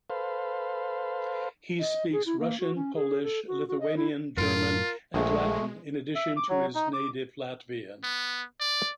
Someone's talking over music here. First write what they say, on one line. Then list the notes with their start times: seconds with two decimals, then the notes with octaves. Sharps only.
He speaks Russian, Polish, Lithuanian, German and Latin in addition to his native Latvian.
0.10 A4 B4 C5 F5
1.80 D#5
2.12 G#4
2.26 E4
2.40 A#3
2.60 F#4
2.76 C#4
2.95 G#4
3.23 A4
3.48 F#4
3.68 F#4
3.80 D#5
3.97 E4
4.37 F#2 A2 F4 A#4 C6 D7
5.14 A#1 G#3 A3
6.15 E5
6.37 D6
6.49 F#3
6.75 D#4
6.93 D6
8.03 B3
8.60 D5